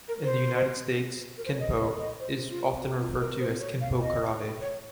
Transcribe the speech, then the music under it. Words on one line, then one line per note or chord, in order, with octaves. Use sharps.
In the United States, kenpo is often referred to as "Kenpo Karate".
A#4
C5
A#4
C5
C#5
D#5
D#5
D#5
C5
F4
F#4
F4
A#4
C5
C#5
F5
D#5
C#5